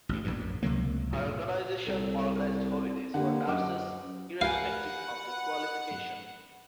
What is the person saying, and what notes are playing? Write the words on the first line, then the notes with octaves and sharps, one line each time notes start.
Her organisation organised holidays for nurses irrespective of their qualification.
A1 G2
A#1 E2 G2
F#2
C#2 C3 F#3 A#3
G2 A#2
C2 A4
D3 A#3 G4 F#5
F#2 D#5 F#5 D6
G4 A#4 B4 F5 F#5 G#5